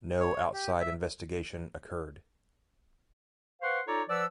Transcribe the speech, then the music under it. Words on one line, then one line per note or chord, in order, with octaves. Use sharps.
No outside investigation occurred.
C#5
G4
E5
B4 C5 F5 F#5 C6 C#6
D#4 F4 A4 C#5 D5 A#5
F3 B4 D5 F#5 E6